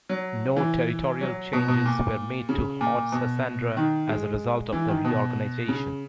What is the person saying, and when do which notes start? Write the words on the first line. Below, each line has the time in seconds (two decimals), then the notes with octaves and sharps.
No territorial changes were made to Haut-Sassandra as a result of the reorganisation.
0.09 F#3
0.57 E3
1.21 F#3
1.53 B2
1.68 B2
1.85 A#2
2.49 C#3
2.81 A#2
3.12 B2
3.77 D#3
4.09 G#3
4.73 E3
4.89 D#3
5.05 B2
5.68 C#3